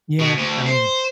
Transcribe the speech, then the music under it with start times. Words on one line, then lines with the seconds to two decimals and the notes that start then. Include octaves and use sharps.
Yeah, I mean
0.19 B2
0.37 D2
0.66 C5